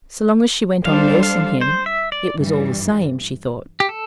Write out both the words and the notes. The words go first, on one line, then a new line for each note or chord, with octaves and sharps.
So long as she went on nursing him, it was all the same, she thought.
G3 D4 A4 C5 F5
F5
C5
E5
D5
G2 E3 G3
G4
A4